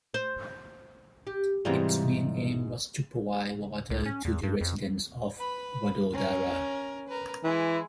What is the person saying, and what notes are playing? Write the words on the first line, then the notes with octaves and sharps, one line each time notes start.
Its main aim was to provide water to the residents of Vadodara.
C5
G4
E2 G#2 C3 E3 G3 F4
C#2
C#4
E2
G2
F2
B4 B5
C#4 A#4
A#4 B4
E3 G#3 E4